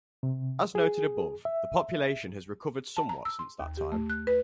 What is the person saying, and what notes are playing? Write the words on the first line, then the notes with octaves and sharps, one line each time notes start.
As noted above, the population has recovered somewhat since that time.
C3
G#4
E5
A5
A#5
E6
C6
D#2
G4
A3
F#6
B4